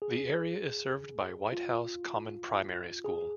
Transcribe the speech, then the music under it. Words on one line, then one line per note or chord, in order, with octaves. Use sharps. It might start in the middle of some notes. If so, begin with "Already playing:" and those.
The area is served by Whitehouse Common Primary School.
G#4
F4
G#4